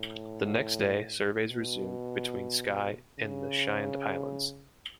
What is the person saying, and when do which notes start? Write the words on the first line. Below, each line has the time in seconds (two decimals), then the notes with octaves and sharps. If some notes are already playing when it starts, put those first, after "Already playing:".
The next day, surveys resumed between Skye and the Shiant Islands.
Already playing: A2
1.50 B2
3.19 C#3